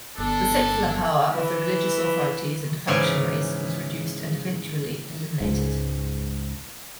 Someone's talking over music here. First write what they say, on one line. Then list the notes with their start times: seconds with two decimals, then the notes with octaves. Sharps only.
The secular power of the religious authorities and functionaries was reduced and eventually eliminated.
0.18 G1 G2 D4 A4
1.31 E3
2.87 G#2 C#3 E3 E4 D5 G#5
5.41 C#2 G#2